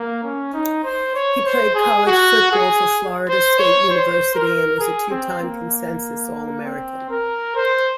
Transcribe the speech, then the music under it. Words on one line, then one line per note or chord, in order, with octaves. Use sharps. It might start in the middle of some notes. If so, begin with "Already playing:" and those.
He played college football for Florida State University, and was a two-time consensus All-American.
Already playing: A#3
C#4
D#4
C5
C#5
C5
G#4
F#4
G#4
C5
C#5
C5
A#4
G#4
C4
A#3
C4
A#4
C5